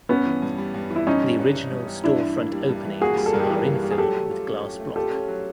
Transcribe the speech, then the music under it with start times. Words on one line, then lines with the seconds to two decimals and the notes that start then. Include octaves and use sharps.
The original store front openings are infilled with glass block.
0.09 G2 B3 C#4
0.26 E3
0.42 G2
0.58 G3
0.74 G2
0.90 E3
0.96 E4
1.07 G2 C#4 D#4
1.23 G3
1.39 G2
1.55 E3
1.71 G2
1.88 G3
2.04 G2 D4 E4
2.20 E3
2.36 A#3
2.52 G3
2.69 G2
2.85 E3
3.01 A#3 F#4 G#4
3.17 G3
3.26 A4
3.33 G2 A#4
3.39 G4 A4
3.50 E3 G#4 A#4
3.66 A#3
3.82 G3
3.91 G#4
3.98 F#3 G4 A4
4.15 A3
4.31 F4
4.47 C#4
4.63 F#3
4.80 A3
4.96 F4 G4 A4
5.12 C#4
5.28 F#3